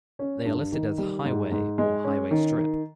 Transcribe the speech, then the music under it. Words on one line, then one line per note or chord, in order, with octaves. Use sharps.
They are listed as "Highway" or "Highway Strip".
C#4
G2
D#3
G3
G#2
G#2
G#3
C#4
D#3
D#3